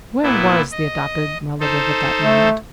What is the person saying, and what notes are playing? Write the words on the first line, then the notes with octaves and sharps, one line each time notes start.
Where was the adopted relative at that moment?
A#2 B3 E4
D#5
D#4 A4 C5
A3